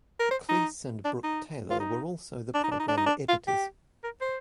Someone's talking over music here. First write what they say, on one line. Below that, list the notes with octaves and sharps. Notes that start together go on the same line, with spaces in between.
Cleese and Brooke-Taylor were also the programme editors.
A#4
C5
D#4
D4
D#4
F4
D#4
D4
D#4
D4
D#4
D4
D#4
D4
F4
G4
A#4
C5